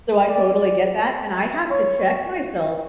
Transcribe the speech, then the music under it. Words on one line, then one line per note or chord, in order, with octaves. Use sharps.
so I totally get that, and I have to check myself
D5
C#5